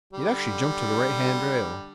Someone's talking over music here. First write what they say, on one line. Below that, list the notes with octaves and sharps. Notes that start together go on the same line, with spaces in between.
He'd actually jumped to the right-hand rail.
D3 G3